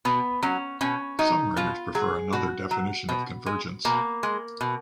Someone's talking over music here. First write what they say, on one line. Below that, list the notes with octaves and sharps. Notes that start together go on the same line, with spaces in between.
Some writers prefer another definition of convergence.
B2 B3
F#3 C#4
B2 C#4
F#3 D#4
B2 F4
F#3 G#4
B2 F#4
F#3
B2
G#3
B2 A#3
G#3
B2